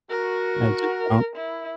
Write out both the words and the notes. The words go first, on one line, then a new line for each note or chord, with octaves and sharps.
I just don't.
F#4 A#4
E4